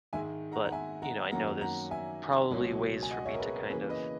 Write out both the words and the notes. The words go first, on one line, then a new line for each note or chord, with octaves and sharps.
but, you know, I know there's probably ways for me to kind of
G#2 D#3 G#3 E5 G#5
F#5 A#5
F#5
E5 G#5
F#5 A#5
F#2 D#3 F#3 A#3 F#5 A#5
F#5 A#5
E5 G#5
C#2 B2 F#3 A#3 C#4
G#5
D#5 F#5
C#5 E5
A#4
G#4 B4
A#4
C#3 E3 A#3 G#4 B4
B4 D#5